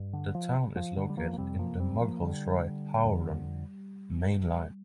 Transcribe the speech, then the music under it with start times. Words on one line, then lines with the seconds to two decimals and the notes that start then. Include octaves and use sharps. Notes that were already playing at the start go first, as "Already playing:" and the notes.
The town is located in the Mughalsarai - Howrah main line.
Already playing: G2
0.13 D3
0.35 F3
0.76 F3
0.97 D3 G3
1.10 G3
1.17 F3 A#3
1.33 A#3
1.38 F2 C3 G3 C4
1.59 F3 A#3
1.79 G3 C4
2.00 F3 A#3
2.21 D3 G3
3.05 F2 D3